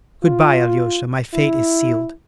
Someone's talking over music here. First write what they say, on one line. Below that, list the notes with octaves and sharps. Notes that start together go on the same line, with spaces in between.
Good-by, Alyosha, my fate is sealed.
F4
E4